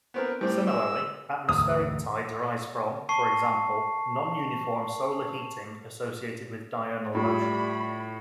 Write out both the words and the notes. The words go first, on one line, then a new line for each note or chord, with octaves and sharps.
Similarly, atmospheric tides arise from, for example, non-uniform solar heating associated with diurnal motion.
B3 C4 A#4
A2 G3 C4
G#3 E6
E1 D2 G#2 D#6
A5 C#6 C7
A2 G3 F4 B5